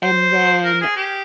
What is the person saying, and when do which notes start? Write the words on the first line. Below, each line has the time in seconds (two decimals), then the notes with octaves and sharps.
And then,
0.03 C5
0.65 A#4
0.81 G#4
0.96 G4